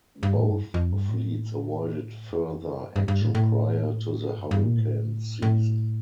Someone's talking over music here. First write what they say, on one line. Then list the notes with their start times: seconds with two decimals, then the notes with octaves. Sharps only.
Both fleets avoided further action prior to the hurricane season.
0.23 G2
0.35 A2
0.49 G2
0.74 F2
0.92 G2
1.09 A2
2.30 F2
2.82 G2
2.96 G2
3.08 G2
3.21 A2
3.35 A2
4.38 G2
4.51 G2
4.64 A#2
4.77 A2
5.42 A2